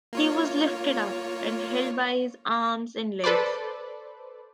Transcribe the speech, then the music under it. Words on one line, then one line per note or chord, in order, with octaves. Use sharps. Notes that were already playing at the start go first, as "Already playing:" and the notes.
He was lifted up, and held by his arms and legs.
A#3 F4 C#5
A4 B4 C5 D5